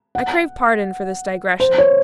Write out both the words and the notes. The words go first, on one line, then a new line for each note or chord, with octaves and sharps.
I crave pardon for this digression.
F#5
C5
C#5